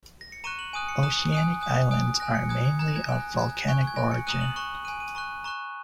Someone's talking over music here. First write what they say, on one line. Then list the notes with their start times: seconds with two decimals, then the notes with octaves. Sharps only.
Oceanic islands are mainly of volcanic origin.
0.21 A#6
0.32 C#7
0.44 A#5 C#6 F#6 D#7
0.59 F#7
0.73 G#5 D#6 F#6 D#7
0.89 C#7
1.03 A#5 D#6 F#6
1.32 G#5 D#6 F#6
1.61 G#5 D#6 F#6
1.91 G#5 D#6 F#6
2.20 G#5 F#6 A#6
2.35 C#7
2.49 A#5 D#6 F#6 G#6
2.65 G#6
2.79 A#5 F#6 G#6
2.88 A#6
2.96 G#6
3.09 G#5 F#6
3.38 A#5 F#6 G#6
3.68 G#5 C#6 F#6
3.87 G#6
3.96 G#5 F#6 A#6
4.11 C#7
4.27 A#5 D#6 F#6 D#7
4.41 F#7
4.56 A#5 C#6 F#6
4.85 G#5 F#6 D#7
5.00 D#7
5.15 A#5 C#6 F#6
5.44 A#5 C#6 F#6